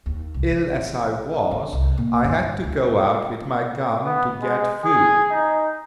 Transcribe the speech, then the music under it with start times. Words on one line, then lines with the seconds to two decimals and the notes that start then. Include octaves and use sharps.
Ill as I was, I had to go out with my gun to get food.
0.06 D#2
0.34 C2
0.51 A#1
1.51 D4
1.73 C2
1.98 A#2
2.24 G2
2.64 D2
4.05 B3
4.41 G#3
4.84 G#4
5.31 D#4